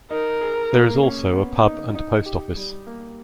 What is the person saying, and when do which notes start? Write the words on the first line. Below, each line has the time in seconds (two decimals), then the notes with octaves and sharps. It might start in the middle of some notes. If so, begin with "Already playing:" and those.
There is also a pub and a post office.
0.10 D#4 A#4
0.41 G#4
0.72 A#3
1.03 C#4
1.33 B3
1.64 D#4
1.95 D#4
2.26 G4
2.56 G3
2.87 A#3